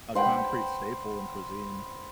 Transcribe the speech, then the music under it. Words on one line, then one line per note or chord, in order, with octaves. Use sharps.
a concrete staple in cuisine.
C5 F#5 G5 B5